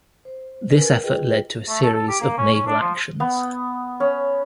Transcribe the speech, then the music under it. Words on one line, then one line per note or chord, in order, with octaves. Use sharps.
This effort led to a series of naval actions.
C5
A#4 B4 G#5
F4 G#4 B4 D#5 G5
A3
A4
A4
G4
A#3
C#4
C#4
D4
F3
B3
C#4